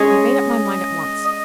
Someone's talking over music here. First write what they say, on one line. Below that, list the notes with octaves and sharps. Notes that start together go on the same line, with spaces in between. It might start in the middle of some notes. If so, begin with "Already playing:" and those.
I made up my mind at once.
Already playing: G#3 C#4 G#4 C#5 D#5
D#5